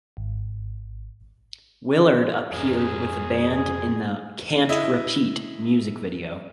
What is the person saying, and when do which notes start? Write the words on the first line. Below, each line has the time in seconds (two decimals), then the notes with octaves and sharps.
Willard appeared with the band in the "Can't Repeat" music video.
0.17 G#1
2.52 F2 C#4 G#4
4.69 E4 D#5